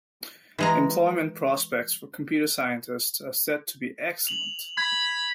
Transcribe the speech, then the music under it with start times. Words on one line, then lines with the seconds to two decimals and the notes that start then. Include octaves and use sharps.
Employment prospects for computer scientists are said to be excellent.
0.58 E3 G#3 A#5
4.27 F7 F#7
4.78 B5 G#6